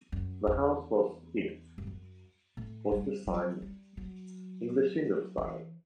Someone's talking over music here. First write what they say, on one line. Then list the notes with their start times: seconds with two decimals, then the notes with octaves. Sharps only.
The house was it was designed in the Shingle style.
0.12 F#2
0.47 E2
1.78 G2
1.87 F#2
2.57 A2
2.92 G3
3.27 F#3
3.62 G3
3.97 F#3
5.38 E3